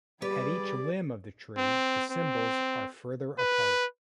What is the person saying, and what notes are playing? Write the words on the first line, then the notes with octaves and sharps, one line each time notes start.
At each "limb" of the tree, the symbols are further apart.
G3 G4 G#4 B4 D5
C4
C4
B4